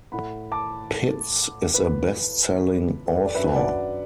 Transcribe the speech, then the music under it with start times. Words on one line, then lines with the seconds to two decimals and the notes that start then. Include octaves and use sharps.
Pitts is a bestselling author.
0.12 A2 A3 E4 F#5 B5
0.52 A5 D6
1.74 B4
3.06 A4
3.16 B4
3.25 D5
3.35 F#2 F#3 D4 B4 E5
3.55 D5 F#5